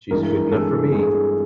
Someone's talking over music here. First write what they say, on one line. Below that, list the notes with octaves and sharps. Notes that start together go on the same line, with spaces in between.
She's good enough for me!
G2 E3 G#3 A#4
G2 E3 G#3 A4
G2 E3 G#3 G#4